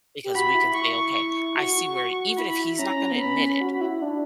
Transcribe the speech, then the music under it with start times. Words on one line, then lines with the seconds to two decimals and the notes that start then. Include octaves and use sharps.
because we can say, "Okay, I see where even if he's not gonna admit it,
0.24 G4
0.34 F#4 B5
0.55 E4
0.75 E4 C#6
1.57 F#4 C#6
2.38 E4 B5
2.79 C#4 A#5
3.11 B3
3.20 C#4 B5
3.61 F#4
3.73 F#4
3.81 E4
4.02 D4